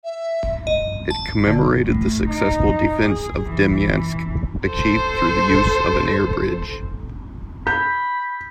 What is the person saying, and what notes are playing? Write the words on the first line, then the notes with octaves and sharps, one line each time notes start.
It commemorated the successful defence of Demyansk, achieved through the use of an airbridge.
E5
D#5
A5
D3
A2
D#4
G#4
E3
A4 C5
B5 G6